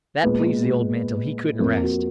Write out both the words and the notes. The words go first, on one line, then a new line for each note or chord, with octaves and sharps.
That pleased the old man till he couldn't rest.
A#2 G#3 B3 B4
F2 F3 A#3 A#4
F#4